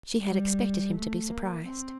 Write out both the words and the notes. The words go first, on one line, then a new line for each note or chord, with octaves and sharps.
She had expected him to be surprised.
G3
A3
A#3
C4